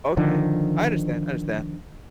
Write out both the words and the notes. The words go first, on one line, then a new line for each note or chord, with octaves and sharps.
Okay. I understand, I understand.
D3 D#3 F3